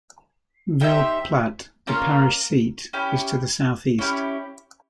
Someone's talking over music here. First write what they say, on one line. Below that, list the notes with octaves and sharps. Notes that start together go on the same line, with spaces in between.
Ville Platte, the parish seat, is to the southeast.
D#4 G4 C5 E5
A#3 C#4 F4 A#4
C#4 E4 G4
C#4 E4 G4